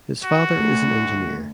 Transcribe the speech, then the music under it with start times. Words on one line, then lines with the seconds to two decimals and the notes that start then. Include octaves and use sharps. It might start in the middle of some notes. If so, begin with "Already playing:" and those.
His father is an engineer.
0.25 F#4
0.55 D2